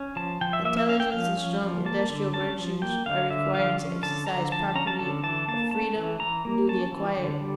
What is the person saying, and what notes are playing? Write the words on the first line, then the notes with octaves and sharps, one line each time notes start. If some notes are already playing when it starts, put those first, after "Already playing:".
Intelligence and strong industrial virtues are required to exercise properly a freedom newly acquired.
Already playing: C#4
F3 A5
F3 G5
E5
A#3 E5
E5
C#4 F5
G5
F3 F5
C#4
F3
A#3 A5
D3
C#4 A5
F3
A#3 G5
D3 F5
D3 E5
F3 F5
C#4
D3 A5
D3 A#5
F3 A5
C#4 A#5
A5
D3 A5
E3 A5
A#3 A5
C#4 A5
E3
E3 A#5
A#3
C#4 A5
E3
D3
G3